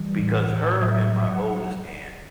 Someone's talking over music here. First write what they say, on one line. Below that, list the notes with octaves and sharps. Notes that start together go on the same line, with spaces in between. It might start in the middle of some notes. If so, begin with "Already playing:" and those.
because her and my oldest aunt
Already playing: E3 G3
A2
F#5
A2
F#3 E5
F#3 E5
F#5
F#3